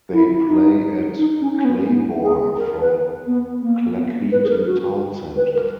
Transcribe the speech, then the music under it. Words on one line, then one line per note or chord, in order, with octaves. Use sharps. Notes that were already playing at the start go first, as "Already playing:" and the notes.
They play at Clayborn, from Cleckheaton town centre.
E4
D#4
D#4
C#4
C#4
B3
B3
G#4
A#4
B4
B3
A#3
B3
B4
G#4
A#4
F#4
B4
A#4